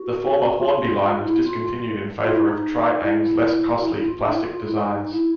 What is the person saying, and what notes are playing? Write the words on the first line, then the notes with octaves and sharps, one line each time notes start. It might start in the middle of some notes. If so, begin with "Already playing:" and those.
The former Hornby line was discontinued in favour of Tri-ang's less costly plastic designs.
Already playing: F#4
F#4
F4
D#4
E4
F4
F4
F4
E4
D#4
E4
F#4
E4
D#4
E4
F4
D4
E4
F4
F4
E4
D#4
D#4
E4